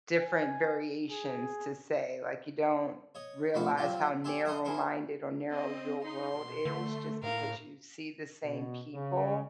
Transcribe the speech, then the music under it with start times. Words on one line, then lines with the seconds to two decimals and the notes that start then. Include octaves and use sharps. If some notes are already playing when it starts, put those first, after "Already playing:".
different variations, to say. Like, you don't realize how narrow-minded or narrow your world is just because you see the same people.
0.20 G#5
1.10 G#4
3.15 C#5 D#5
3.54 C3 F3 A3 F4 F#4 B4
3.77 F#3 C4 D4 F4 G4
4.24 C#4 G4 C#5 E5 A5 C6
4.45 E5 F#5 A#5 C6 D#6
4.65 E4 G#4 A#4 C5
5.51 C4 D#5
6.04 D#4 C6
6.34 B2
6.65 D3 A3
7.23 A2 A#4 F5
8.44 B2
8.94 C#3